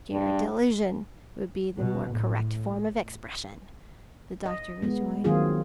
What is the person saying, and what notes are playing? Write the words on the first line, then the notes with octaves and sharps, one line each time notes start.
"Sheer delusion would be the more correct form of expression," the doctor rejoins.
G2
B2
A2
D#5
G#3 B3
D#3 F#3 A#3 C4 F4 G#4